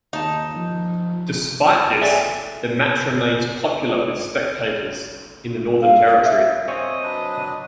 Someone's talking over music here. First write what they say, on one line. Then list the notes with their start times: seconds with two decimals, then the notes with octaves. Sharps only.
Despite this, the match remains popular with spectators in the Northern Territory.
0.13 D#2 D#4 A5
0.56 F3
2.02 G#4 A4 D5 E5 G5 G#5
5.82 F5
6.25 E5
6.68 C4 C#5 D#5 G#5
7.03 F#3 D4 B4